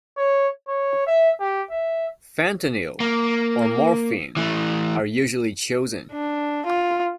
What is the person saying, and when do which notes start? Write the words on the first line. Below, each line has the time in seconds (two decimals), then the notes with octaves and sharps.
Fentanyl or morphine are usually chosen.
0.17 C#5
0.68 C#5
1.07 E5
1.40 G4
1.70 E5
3.00 A#3
4.37 E3 A3
6.12 D4
6.66 F4